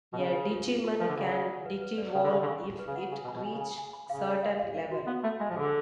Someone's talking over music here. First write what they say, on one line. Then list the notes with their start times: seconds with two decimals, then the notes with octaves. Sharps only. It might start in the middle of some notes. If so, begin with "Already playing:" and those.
A digimon can digivolve if it reach certain level.
0.13 B2
0.18 C#3 C#4
0.35 B4
0.51 F4
0.68 F4
0.84 F4
1.00 F3 B4
1.08 D3
1.16 C#3 D5
1.33 D5
1.49 F#5
1.66 B4
1.81 B4
1.98 D5
2.14 C#3 B4
2.23 D3
2.30 C#3 C#6
2.43 D3
2.46 C#3 C#6
2.63 C#6
2.79 B4
2.87 C#3
2.95 F#5
3.12 C#3 G#5
3.24 B2
3.28 B5
3.36 B2
3.45 C#3 G#5
3.61 G#5
3.78 G#5
3.93 B5
4.10 C#3 F5
4.26 C#5
4.43 F5
4.59 F5
4.75 F5
4.91 F#4
5.07 B3 F5
5.24 A3 B5
5.40 G#3 B5
5.50 F3
5.56 D3 G#4